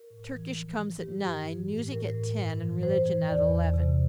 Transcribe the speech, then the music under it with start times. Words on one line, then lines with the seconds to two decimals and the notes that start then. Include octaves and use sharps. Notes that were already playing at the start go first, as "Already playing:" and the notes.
Turkish comes at nine, music at ten and religion at eleven.
Already playing: A#4
0.10 A2
0.33 E3
0.56 F3
0.79 F3
1.01 G2 G4
1.24 G2
1.46 E3
1.69 A2
1.92 A2 A#4
2.15 A2
2.38 G2
2.61 E3
2.83 E3 C5
3.06 E3
3.28 E2 D5
3.51 E2
3.74 C3